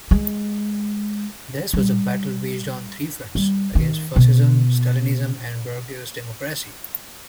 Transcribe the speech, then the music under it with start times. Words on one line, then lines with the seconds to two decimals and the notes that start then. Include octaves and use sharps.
Theirs was a battle waged on three fronts: against Fascism, Stalinism, and bourgeois democracy.
0.11 G#3
1.73 G3
3.35 G3
3.75 D#3
4.16 B2